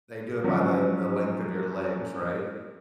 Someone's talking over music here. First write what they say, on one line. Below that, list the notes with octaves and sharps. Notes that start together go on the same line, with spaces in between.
they do it by the the length of your legs, right?
F3 F#3 C#4 D4